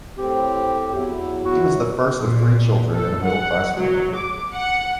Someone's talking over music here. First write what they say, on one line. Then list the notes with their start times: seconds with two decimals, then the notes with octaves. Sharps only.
He was the first of three children in a middle-class family.
0.18 A2 C4 G4
0.94 E2 F#3 E4
1.45 F#4
2.19 A#2
2.91 A4
3.24 F#5
3.76 F#3
4.14 D6
4.53 F#5